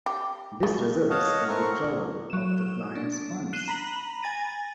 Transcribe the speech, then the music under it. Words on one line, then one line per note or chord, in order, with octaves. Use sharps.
This results in withdrawal of the clients' funds.
G4
D#3
C#5 D#5 F5 F#5 A5
A3 C4 A#4 C#6
F#3 E7
D4
F#6 C7 D#7 E7 G7
A#5 B5 B6 F#7
G#5 A6 A#6 D#7